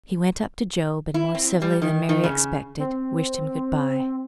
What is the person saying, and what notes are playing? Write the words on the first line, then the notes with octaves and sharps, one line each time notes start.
He went up to Job, and, more civilly than Mary expected, wished him good-bye.
E4
C4
G3
D#3
D#3
C#3
C4